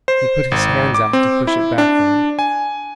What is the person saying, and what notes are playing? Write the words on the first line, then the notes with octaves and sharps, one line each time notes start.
He put his hands out to push it back from him.
C5
G#1
D6
C4
E4
D4
G#5